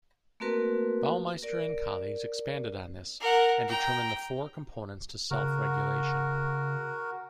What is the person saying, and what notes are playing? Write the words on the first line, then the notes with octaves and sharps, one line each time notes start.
Baumeister and colleagues expanded on this, and determined the four components to self-regulation.
A3 A#3 C4 F#4 A#4 B4
A#4 D5
A#4 F#5
G5 A#5
C#3 F#4 A#4